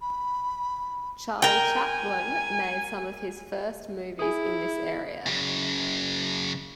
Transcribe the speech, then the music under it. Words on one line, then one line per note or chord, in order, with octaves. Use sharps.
Charlie Chaplin made some of his first movies in this area.
B5
A#4 G5 G#5
E4 G#4 D#6
F#2 C#3